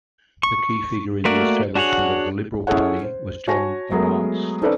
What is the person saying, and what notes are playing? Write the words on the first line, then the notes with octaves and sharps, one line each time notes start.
The key figure in the establishment of the Liberal Party was John Ballance.
C#6
A3 A#3 F#4 A#4 D5
D4 F#4 G#4 C#5 F#5
C#4 E4 G#4 A4 C#5 F#5
C5
F#4 C#5 G#5 A5 A#6
F#3 G#3 A3 B3 A#4
C4 C#4 D#4 A4 B4 D5